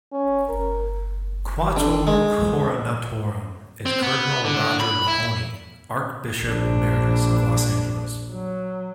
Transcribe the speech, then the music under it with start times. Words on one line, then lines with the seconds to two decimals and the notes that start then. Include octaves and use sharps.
Quattuor Coronatorum is Cardinal Roger Mahony, Archbishop Emeritus of Los Angeles.
0.13 C#4
0.49 A#4
1.77 D3
2.07 G#3
3.86 C4
4.02 B3
4.45 D3
4.80 B5
5.08 E4
6.45 A#1 D4
8.30 F#3